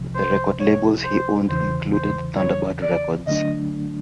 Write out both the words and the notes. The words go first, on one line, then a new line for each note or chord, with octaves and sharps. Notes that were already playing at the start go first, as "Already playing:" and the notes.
The record labels he owned included Thunderbird Records.
Already playing: C2 C3 F3
C5
C#5
C5
E2 C#3 E3 C5
C5
C#5
D5
D3 F#3 A3 D4 D#5